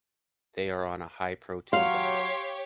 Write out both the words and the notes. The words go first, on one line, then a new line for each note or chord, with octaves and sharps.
They are on a high protein diet.
F#3 G4 C#5 F5 C6